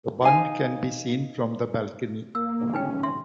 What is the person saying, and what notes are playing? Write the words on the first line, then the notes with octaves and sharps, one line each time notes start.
The Bund can be seen from the balcony.
D#4 F5 G#5
A#3 E6
C#4 D#4 B4 G5
E5 C6